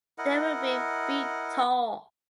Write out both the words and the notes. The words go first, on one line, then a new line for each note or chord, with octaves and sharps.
They will be feet tall.
E4 A#4 D#5 F#5